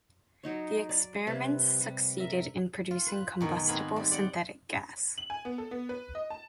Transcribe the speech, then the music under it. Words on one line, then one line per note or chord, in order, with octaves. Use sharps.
The experiments succeeded in producing combustible synthetic gas.
F#3 D#4 C#5
D5
C3 G3 B4
G3
A#4 E5
F4
B4
F#2 B2 D#3
G#2 B3 C4 F5 G#5 B5
G3
D5 F#5 G5
F#7
G#5
B3
A4
B3
B4
D#5
A5